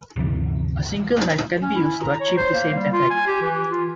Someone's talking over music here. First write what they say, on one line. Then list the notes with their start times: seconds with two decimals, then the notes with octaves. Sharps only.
A single knife can be used to achieve the same effect.
0.16 G1 D2 C3 E3
1.62 C#4
1.75 E4
2.02 A#5
2.20 C#5
2.37 C5
2.54 A#3
2.74 G3
2.93 F4
3.11 G#5
3.26 G4
3.42 E3
3.70 F4